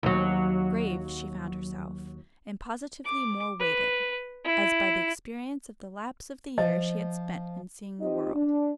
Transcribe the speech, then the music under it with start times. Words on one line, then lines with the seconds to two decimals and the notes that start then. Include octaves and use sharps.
Grave she found herself, and positively more weighted, as by the experience of the lapse of the year she had spent in seeing the world.
0.03 D#2 F#3
3.05 D6
3.59 B4
4.45 E4
6.58 F3 D#5
8.00 C4 D#4 F4 G4 D#5
8.34 D4